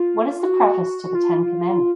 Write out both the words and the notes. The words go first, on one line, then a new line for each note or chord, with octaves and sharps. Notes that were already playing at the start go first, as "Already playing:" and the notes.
What is the preface to the ten commandments?
Already playing: F4
F#4
F4